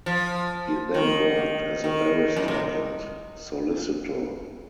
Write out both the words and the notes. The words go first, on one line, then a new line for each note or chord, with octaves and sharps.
He then worked as a barrister and solicitor.
F3
D#3
D#3
F#2
A2